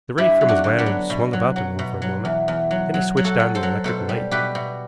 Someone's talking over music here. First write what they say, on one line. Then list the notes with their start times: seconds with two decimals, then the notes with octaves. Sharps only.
The ray from his lantern swung about the room for a moment, then he switched on the electric light.
0.18 G2 E4 G4
0.41 F#3
0.48 D4 F#4
0.64 D3
0.79 B3 D4
0.86 F#3
1.10 B2
1.33 F#3
1.56 F#3
1.79 B2
2.02 F#3
2.25 E2
2.48 E2
2.71 F#3
2.94 F#3
3.17 F#3
3.24 F#4 A4
3.40 F#3
3.55 A4 C5
3.63 F#3
3.84 B2 A4 C5
4.09 G3
4.31 B2 G4 B4
4.55 B2